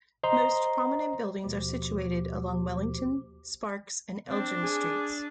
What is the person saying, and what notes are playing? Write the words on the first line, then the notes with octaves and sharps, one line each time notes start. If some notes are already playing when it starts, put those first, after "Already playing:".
Most prominent buildings are situated along Wellington, Sparks and Elgin streets.
C5 D#5 A#5 C6
D#2 B2 F3 G4
C4 D4
G#4